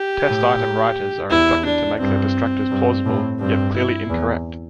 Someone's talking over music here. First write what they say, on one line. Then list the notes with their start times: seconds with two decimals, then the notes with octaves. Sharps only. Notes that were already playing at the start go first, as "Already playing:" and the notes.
Test item writers are instructed to make their distractors plausible yet clearly incorrect.
Already playing: G4
0.27 A2
1.30 E2 E4
1.65 D4
2.00 G2 C4
2.71 G2
3.05 A2
3.40 G2 C4
3.75 E4
4.10 E2